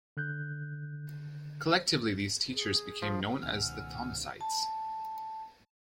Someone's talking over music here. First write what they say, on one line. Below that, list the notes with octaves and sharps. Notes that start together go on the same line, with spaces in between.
Collectively, these teachers became known as the Thomasites.
D3 F#6 G6
G#4
F3
C#2 B2 D#3 F#5 G#5 E6 F6
A5